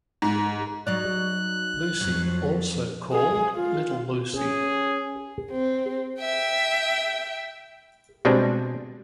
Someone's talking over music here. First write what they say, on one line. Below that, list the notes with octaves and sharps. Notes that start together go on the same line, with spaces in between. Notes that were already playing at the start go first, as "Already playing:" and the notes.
Lucy also called Little Lucy.
G#2
F#3 D#4 D5 F#6
F2 F#3
G#4
F4
C#4 G#4
C4
E5 G5
B2 G3 G#3 C4 D4